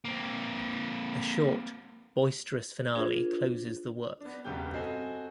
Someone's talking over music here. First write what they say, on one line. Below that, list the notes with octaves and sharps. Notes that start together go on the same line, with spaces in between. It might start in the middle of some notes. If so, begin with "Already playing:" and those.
A short, boisterous finale closes the work.
A#3 C4
D4 F4 G#4 A#4 C5
B3 D4
E1 F#2 C#3 B3 G4 G6
C4 F#4 A4 D#5 F#5 G#5